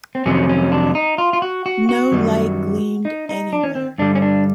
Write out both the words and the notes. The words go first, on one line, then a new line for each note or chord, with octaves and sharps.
No light gleamed anywhere.
C4
F2 C3 D#3 F#3 C#4
C#4
D4
D#4
F4
F4
F#4
F#4
F#4
F#2 D#3 G3
D#4
D#4
D4
C#4
C4
G2 D3 G3 D4
C#4
D4